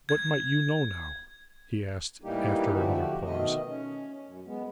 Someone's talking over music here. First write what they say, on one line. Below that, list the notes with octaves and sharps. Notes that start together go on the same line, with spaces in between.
"What might you know, now?" he asked after another pause.
G#6
A2 E3 G3 A#3 D#4 G4
D3 F3 A3 F#4 G4
B2 D#3 A3 D#5
C#4
F#2
G#3 B3